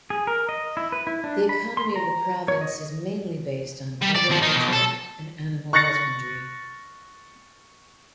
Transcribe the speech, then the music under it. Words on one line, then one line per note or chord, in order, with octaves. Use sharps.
The economy of the province is mainly based on agriculture and animal husbandry.
G#4
A#4
D#5
E4
B4
E4
D4
B5
C6
A#5
C#5
D#5
G3
D5
D#2 F3
D#4 A#4
B1
A4
C#6 F#6 A6 A#6 C#7